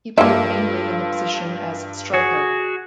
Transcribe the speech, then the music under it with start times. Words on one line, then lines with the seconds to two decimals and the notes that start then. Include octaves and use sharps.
He played mainly in the position as Striker.
0.18 G2 A#3 F4 A4 E5
2.14 F#4 G#4